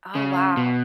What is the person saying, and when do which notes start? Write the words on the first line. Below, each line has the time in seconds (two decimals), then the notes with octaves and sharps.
Oh, wow.
0.15 C#3
0.57 B2